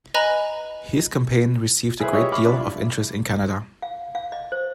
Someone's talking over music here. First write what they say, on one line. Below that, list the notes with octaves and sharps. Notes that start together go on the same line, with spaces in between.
His campaign received a great deal of interest in Canada.
B4 D#5 G#5 A#5 B5 F#6
E4 G#4 B4 C5
G4 C#5 D#5 E5
B5 C#6 D6 F6
D4 E4 F4
F5
F5
D#5
C5